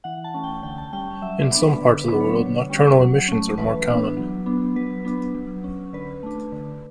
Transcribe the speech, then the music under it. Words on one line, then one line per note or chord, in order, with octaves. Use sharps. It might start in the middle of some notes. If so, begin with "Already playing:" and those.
In some parts of the world nocturnal emissions are more common.
E3 F#5
A5
A3 C#4
G5
D3 G5
A5
G3 C#4 G5
F#3 E5
D5
B3 D4
B4
D3
B4
F#3 B3 D4
C#5
D3
G3 C#4
F#3
A3 C#4
E3 B4
B3 D4
F#3
B3 D4
F#3 B4
B3 D4
F#3
C#4
D3 B4
A3 D4
D3